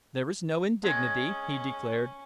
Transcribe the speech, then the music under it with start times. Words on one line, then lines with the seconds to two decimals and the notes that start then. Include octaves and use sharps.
"There is no indignity," he declared.
0.83 G#3 C#4